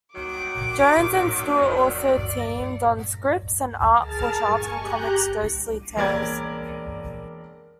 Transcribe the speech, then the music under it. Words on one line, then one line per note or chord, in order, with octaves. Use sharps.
Jones and Stewart also teamed on scripts and art for Charlton Comics' "Ghostly Tales".
D#3 F#3 D6
D5
G#4 A#4 A5 F6 A6
G#5 C#6
G4 A#5 F#6 G6
E1 A#3 A#4 D5 G#6